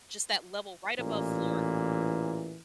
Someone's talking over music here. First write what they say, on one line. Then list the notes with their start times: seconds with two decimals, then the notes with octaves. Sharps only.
just that level right above floor.
0.99 A1 A#2 E3